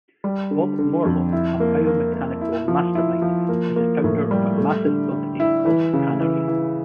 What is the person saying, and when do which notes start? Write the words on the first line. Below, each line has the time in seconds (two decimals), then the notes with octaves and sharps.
Bob Morlock, a biomechanical mastermind, is the founder of a massive company called Kanary.
0.24 G3
0.51 D3
0.79 D3
1.05 F2
1.33 E4
1.60 A#3
1.87 A#3
2.14 A#3
2.41 E4
2.68 F3
2.95 E4
3.22 F3
3.49 A#3
3.76 A#3
4.04 A2
4.31 G3
4.58 A3
4.85 D3
5.12 D3
5.40 E4
5.66 E3
5.93 C#3
6.20 E3
6.48 E3